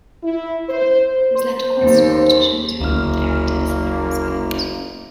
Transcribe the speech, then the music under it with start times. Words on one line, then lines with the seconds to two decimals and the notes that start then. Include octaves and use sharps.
This led to constant competition between Erendis and her husband.
0.23 E4
0.69 C5
1.35 C5
1.80 D#2
2.80 F#1 D2 A#3 F6